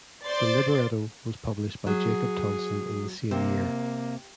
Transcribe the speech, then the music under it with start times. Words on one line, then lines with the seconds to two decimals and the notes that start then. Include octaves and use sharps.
The libretto was published by Jacob Tonson in the same year.
0.25 C5 D5 C6 A6
1.87 F#3 G#4
3.31 C3 A#3